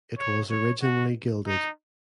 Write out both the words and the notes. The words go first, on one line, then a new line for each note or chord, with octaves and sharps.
It was originally gilded.
C#5
C#5
F#4
D#4